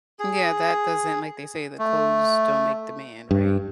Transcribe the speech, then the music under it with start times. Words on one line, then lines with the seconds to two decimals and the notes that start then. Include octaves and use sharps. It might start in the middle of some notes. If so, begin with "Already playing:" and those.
Yeah, that doesn't like, they say the clothes don't make the man, right?
0.19 G#4
1.79 A3
3.31 G2